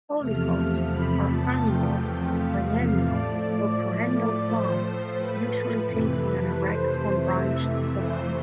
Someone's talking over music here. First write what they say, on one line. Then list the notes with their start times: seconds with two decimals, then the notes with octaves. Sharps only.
Hollyhocks are annual, biennial, or perennial plants usually taking an erect, unbranched form.
0.19 E2 C3 F3 A3 F6
0.90 B5
1.26 A5
1.61 G5
1.97 G5
2.32 F5
3.03 A2 F3 A3 D5
4.45 C5
5.15 B4
5.87 F2 C3 E3 A3
6.57 C5
7.28 E5
8.00 C5